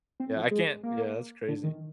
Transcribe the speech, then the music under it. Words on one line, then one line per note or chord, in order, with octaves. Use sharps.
Yeah I can't yeah, that's crazy.
C4
F3
G#3
A#3
D3
D#3